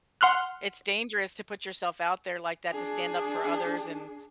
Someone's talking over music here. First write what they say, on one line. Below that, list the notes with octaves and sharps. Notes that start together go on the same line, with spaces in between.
It's dangerous to put yourself out there like that, to stand up for others, and
F#5 C6 F6 F#6
D4 G#4